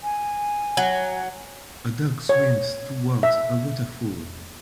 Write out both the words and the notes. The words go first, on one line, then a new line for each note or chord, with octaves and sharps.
A dog swims towards a waterfall.
G#5
F#3
C#5
E5